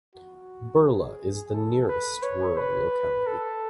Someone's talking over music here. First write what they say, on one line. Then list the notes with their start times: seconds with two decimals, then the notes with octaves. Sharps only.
Burla is the nearest rural locality.
0.15 F#4
0.84 G#4
1.53 A4
1.88 B4
2.23 C#5
2.57 B4
3.27 A4